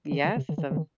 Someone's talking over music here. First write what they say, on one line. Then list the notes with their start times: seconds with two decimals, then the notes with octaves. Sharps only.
Yes, it's a v
0.11 D#3
0.25 D3
0.36 C3
0.49 D3
0.58 D#3
0.71 D3
0.77 D#3